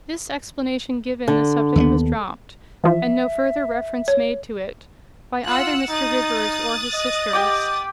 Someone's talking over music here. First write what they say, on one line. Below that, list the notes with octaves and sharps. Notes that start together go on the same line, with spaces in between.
This explanation given, the subject was dropped, and no further reference made to it by either Mr. Rivers or his sisters.
D3
D#2 G#3 B3
E3 F3 E5
C#5
F4 F#5 E6 F#6
D#4 D#6 F#6 A6
D#5
G4 G5 D6